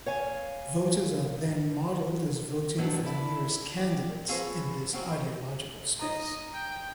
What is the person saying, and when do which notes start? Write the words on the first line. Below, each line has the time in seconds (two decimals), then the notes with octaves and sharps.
Voters are then modeled as voting for the nearest candidates in this ideological space.
0.06 C#5 F5 G#5
2.78 B2 F#3 G3 A3 D4 A4
3.05 E4 A4 D5
3.77 G4 D5
4.28 C4 F4 G#4 A4 B4 C#5
4.93 A2 F#3 C4 C#4
5.19 D#5
5.99 D#4 D#5 A#5
6.53 G5